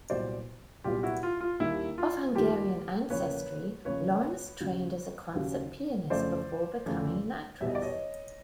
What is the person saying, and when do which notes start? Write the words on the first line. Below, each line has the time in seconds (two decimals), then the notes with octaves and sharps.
Of Hungarian ancestry, Lawrence trained as a concert pianist before becoming an actress.
0.10 C2 A#2 F#3 B3 C5 D5
0.84 C2 A#2 F#3 B3 F4 G4
1.03 E4 F#4
1.23 F4
1.41 F4
1.60 D#2 D#3 G3 A#3 E4
1.98 F4
2.34 D#2 D#3 G3 A#3 F4 G4
3.10 E2 C#3 F3 A#3 B4 C#5
3.85 E2 C#3 F3 A#3 B4 C#5
4.60 D#2 C#3 F#3
5.35 D#2 C#3 F#3
6.10 F2 C#3 E3 A3 C5 D5
6.86 F2 C#3 E3 A3
7.61 E2 B2 G3 B3 E5
7.68 D#5
7.75 D5
7.82 C#5 D#5